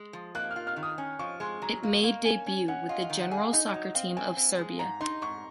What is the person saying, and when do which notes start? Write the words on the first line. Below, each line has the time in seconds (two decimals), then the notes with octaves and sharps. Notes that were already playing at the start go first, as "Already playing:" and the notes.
It made debut with the general soccer team of Serbia.
Already playing: G#3
0.13 F3
0.35 A#3 F#6
0.51 F6
0.56 F4
0.67 F6
0.76 D#3
0.83 D#6
0.98 C#4
1.19 F3 C#6
1.40 G#3 C6
1.62 F#3 A#5
1.83 A#3
2.04 A#3
2.25 C#4 G#5
2.46 C#4
2.68 C#4 F#5
2.89 F4 D#5
3.04 F5
3.10 D#3
3.21 F#5
3.31 G#4
3.37 F5
3.53 D#4 D#5
3.74 F#3 D#5
3.95 C4 F5
4.17 C4 G#5
4.37 C4
4.59 G#3
4.79 G#2 A#5
5.01 D#4 C6
5.22 G#2 C#6